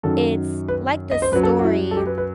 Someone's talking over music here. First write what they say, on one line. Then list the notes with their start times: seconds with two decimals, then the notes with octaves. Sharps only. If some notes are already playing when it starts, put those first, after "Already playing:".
it's like the story
0.03 F#2 D#3 F#3 A4
0.68 B4
1.11 D#5
1.22 C5
1.32 F#2 B4
1.35 F#3
1.43 A4
1.59 F#4
1.64 E4
1.91 A4
1.97 G4
2.06 B4
2.18 B4